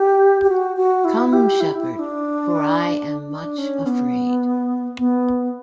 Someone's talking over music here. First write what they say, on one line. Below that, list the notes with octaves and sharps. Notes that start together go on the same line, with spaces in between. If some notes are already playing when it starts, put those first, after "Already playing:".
Come, Shepherd, for I am much afraid!
Already playing: G4
G4
F#4
F#4
E4
G4
E4
E4
D4
D4
C#4
B3
B3